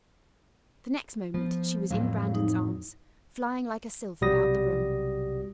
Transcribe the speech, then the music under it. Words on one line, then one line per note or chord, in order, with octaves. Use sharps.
The next moment she was in Brandon's arms, flying like a sylph about the room.
F3 B3
F2 A2 F#3 F5
D#4
B1 C3 G3 F#4 D#6 A#6